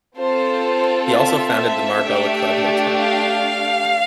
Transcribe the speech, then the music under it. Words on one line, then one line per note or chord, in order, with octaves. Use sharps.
He also founded the Marbella Club Hotel.
C4 F4 A4 C5
E5
A3 D4 G4
F5